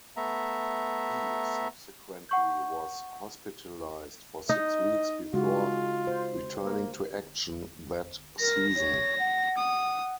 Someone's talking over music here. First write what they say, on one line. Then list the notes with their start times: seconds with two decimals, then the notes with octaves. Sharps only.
He subsequently was hospitalized for six weeks before returning to action that season.
0.17 A3 B3 E5 A#5
2.29 F#5 C#6 G6
4.49 D#4 D#5
5.33 C#3 G#3 F4 F#4
6.07 C5
6.64 A#3
8.40 A#4 A#6
8.76 C#5
9.19 F#5
9.57 D#6